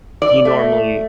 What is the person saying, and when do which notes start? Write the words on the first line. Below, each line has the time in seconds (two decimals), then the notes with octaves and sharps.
he normally
0.22 D5
0.45 A3